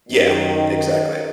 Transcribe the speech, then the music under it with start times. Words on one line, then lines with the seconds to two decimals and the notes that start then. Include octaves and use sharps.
Yeah. Exactly.
0.10 F#2 D#3